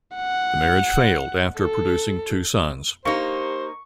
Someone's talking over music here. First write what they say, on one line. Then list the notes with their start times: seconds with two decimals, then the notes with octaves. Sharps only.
The marriage failed after producing two sons.
0.16 F#5
1.58 A4
3.05 A#3 D#4 G4 C5 C#6